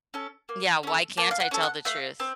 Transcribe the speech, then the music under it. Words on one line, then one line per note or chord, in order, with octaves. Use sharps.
Yeah, why can't I tell the truth?
C#4 A4
A#3
C#4 A4
A#3 A5
F5
F#5
C#4 A4
F#5
A3 F5
C4